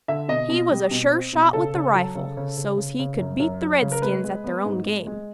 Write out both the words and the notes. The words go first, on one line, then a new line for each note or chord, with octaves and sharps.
He was a sure shot with the rifle so's he could beat the redskins at their own game.
D3 E5
B2 D#5
B2
G3
B2
C4
B2
C#3 A4
C#3
F#3
C#3
C#3
C#3
C#3
C#3
F#2
F#2
F#3
C#3
A#4
G#3 B4
G#3
B3
G#2
G#3
G#3